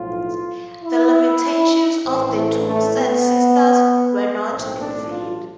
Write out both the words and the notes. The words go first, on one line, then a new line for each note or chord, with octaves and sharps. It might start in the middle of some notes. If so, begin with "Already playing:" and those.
The lamentations of the two sad sisters were not in vain.
Already playing: B1 A2 F3 F4
E4
A1 A2 E3 C4
A3
A3
B3
B1 A2 E3 C4
D4
F4